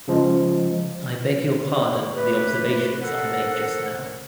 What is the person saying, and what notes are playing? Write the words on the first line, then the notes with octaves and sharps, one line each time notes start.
I beg your pardon for the observations I made just now.
C#3 F3 G#3
A3 G4 B4
A4 A#4 C5 F#5